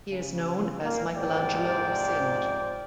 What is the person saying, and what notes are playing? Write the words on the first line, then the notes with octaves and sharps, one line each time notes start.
He is known as Michelangelo of Sindh.
C#3
A#2 A#3
G#2 C3 F3 D5 G5